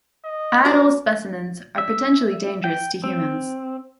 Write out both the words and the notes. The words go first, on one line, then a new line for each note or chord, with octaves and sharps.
Adult specimens are potentially dangerous to humans.
D#5
F#4 A#4 C5
E5
G5
C4